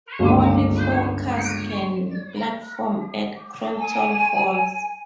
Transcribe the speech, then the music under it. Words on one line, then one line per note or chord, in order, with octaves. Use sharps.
Only four cars can platform at Croton Falls.
G1 C#2 A#3 D6
G#5